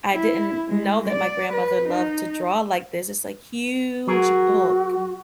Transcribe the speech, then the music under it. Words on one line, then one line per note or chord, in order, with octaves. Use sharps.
I didn't know that my grandmother loved to draw like this. It's a huge book
E4
G#3
D5
B4
D#4
F#3 F#4 G#4 A#4